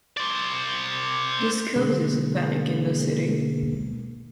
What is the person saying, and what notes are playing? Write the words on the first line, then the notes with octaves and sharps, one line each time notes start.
This causes a panic in the city.
C5 D5
B2 D3 G#3 A#3